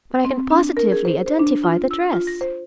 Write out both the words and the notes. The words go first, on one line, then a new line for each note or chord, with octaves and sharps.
"But I can positively identify the dress."
C4
D4
A#4
G#4
C5
C5
D4
F4
E6
F4
A#6
C5